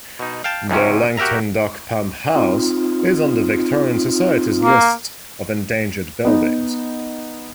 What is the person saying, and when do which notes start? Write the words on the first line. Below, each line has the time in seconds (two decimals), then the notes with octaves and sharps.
The Langton Dock Pump House is on the Victorian Society's list of endangered buildings.
0.19 B2 D#4
0.44 F5 G5 A5
0.69 C#2 G#2 C3 C#4
1.17 F#4 G4 A#4 E5 A#5
2.35 C4 D#4 F4
4.63 A#3
6.25 B3 D#4